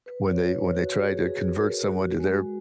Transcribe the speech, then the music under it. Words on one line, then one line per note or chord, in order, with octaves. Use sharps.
when they when they try to convert someone to their
B4
C#5
B4
F#4
G#4
G#4
A#4
G#4
F#4
G#3